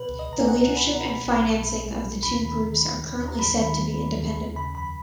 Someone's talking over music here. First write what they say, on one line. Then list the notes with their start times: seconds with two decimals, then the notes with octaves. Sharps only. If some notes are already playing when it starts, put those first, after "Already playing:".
The leadership and financing of the two groups are currently said to be independent.
Already playing: B2 B4
0.09 C#2
0.19 D#5
0.29 C#2 A#5
0.40 G#5
0.48 C#2 F#5
0.67 B2
0.77 B5
0.86 B2
1.06 B2 B5
1.26 B1
1.45 B2
1.64 B2
1.85 B1
2.04 B2
2.23 D#2 B5
2.43 D#3
2.62 D#3
2.81 D#2
3.01 D#2
3.20 D#2
3.28 A#5
3.39 D#2 B5
3.58 D#3
3.79 D#3
3.98 D#2
4.17 D#2
4.37 D#2
4.56 C#3 B5
4.75 F2 B5